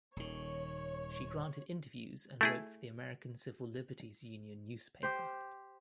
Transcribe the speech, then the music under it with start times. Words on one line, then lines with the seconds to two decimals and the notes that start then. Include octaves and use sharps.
She granted interviews and wrote for the American Civil Liberties Union newspaper.
0.16 D#1 D#3 C#5
2.41 A3 E4 G#4
5.03 G4 C5